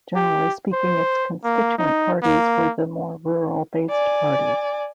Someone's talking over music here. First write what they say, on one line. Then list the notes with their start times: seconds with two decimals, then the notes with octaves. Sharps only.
Generally speaking its constituent parties were the more rural based parties.
0.16 G4
0.73 C5
1.44 A#3
1.78 D#4
2.23 A#3
3.90 D5 G#5